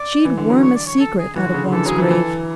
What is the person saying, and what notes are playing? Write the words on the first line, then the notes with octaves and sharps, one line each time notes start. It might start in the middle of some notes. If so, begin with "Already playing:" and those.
She'd worm a secret out of one's grave.'
Already playing: D5
E3
D3
F#3
C#5
D5
C#5
A4
G#4
E3 F#4
D3
C#3
D3
E3 A4
F#3 G#4
E3
A4
E3